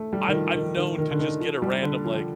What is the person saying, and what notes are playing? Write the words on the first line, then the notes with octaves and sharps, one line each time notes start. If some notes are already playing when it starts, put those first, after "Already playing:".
I'm I'm known to just get a random like,
Already playing: A3
G3
D#3
F3
D#3
D#3
D#3
D3
D#3
F3
G3
D3
F3